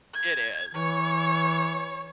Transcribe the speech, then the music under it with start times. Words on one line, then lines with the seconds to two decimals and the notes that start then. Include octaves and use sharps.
It is.
0.14 G#6
0.74 E3 C#5